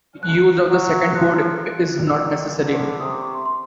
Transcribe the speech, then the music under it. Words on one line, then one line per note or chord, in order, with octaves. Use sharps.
Use of the second port is not necessary.
F#6
F#3
F3 F#6
D#3 E6
D3
C3 D#6
D6
C#6
C6
C6